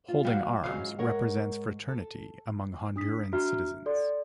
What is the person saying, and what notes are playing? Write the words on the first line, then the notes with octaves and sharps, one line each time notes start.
Holding arms represent fraternity among Honduran citizens.
F4
G3 F#4 F5
G#2 C#3 E3 F#3 C#4 F5
A#4 C#5 F#5
A4
D4 D#6 B6
D4 F#4 E5 A#5 F6
A4 D5 C6